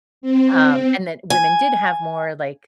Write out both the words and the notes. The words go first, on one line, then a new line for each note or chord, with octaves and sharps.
Um, and that women did have more, like,
C4
G#5